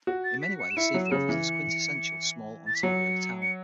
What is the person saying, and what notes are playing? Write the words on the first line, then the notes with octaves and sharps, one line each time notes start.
In many ways, Seaforth is the quintessential small Ontario town.
F#4
A6
B6
C#7
E7
E4 C#7
F#3
E7
C#3 C#7
E3
A6
B6
F#3 C#7
C#7